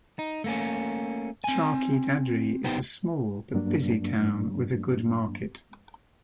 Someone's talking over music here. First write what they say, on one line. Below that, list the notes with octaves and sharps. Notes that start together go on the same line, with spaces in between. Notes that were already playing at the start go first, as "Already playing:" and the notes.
Charkhi Dadri is a small but busy town with a good market.
D#4
A3 A#3 C#4
C4 G#5
B3 D#4 G4 B4 C5 G5
G2 F#3 A#3 D4